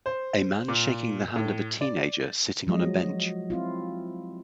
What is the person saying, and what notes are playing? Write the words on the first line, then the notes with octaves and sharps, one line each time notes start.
A man shaking the hand of a teenager sitting on a bench.
C5
A#2
A2
D5
F3 F#3 G#3 D#5
C4 E4 F4